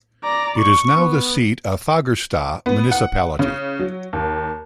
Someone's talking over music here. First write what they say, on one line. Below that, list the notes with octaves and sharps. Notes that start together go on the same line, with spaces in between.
It is now the seat of Fagersta Municipality.
D5 A#5
C#6
B3
B3
F#5
C#3
F#3
D#2